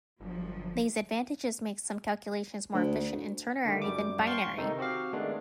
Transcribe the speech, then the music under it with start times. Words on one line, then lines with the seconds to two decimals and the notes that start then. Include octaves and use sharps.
These advantages make some calculations more efficient in ternary than binary.
0.20 G1 F3 F#3
2.74 D2
3.65 D3 D#3 A3
3.82 F#2 G3 D6
4.27 F5 G5 A5 C6 C#6
4.57 C3 D#3 D#4 A4
4.79 C4 F#4 G4 F5
5.13 D#3 G#3 A3 B3 D4